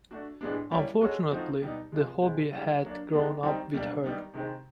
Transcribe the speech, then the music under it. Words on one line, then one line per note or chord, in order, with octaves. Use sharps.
Unfortunately the hobby had grown up with her.
A3 D4 F#4
A2 E3 G#3 B3 D4
G3 A#3 C#4 E4
G#3 C#4 F#4 A4
F3 A3 C4 D#4 F#4
B2 G3 B3 D#4
C3 F3 G#3
B2 G#3 C4 E4
C#3 E3 G3
F#3 A#3 D4
D#3 G#3 B3 D4
D#3 G3 C4 D#4 G4
B2 G3 A#3 D4
D#3 G3 B3 D#4
C3 D#3 G#3 C4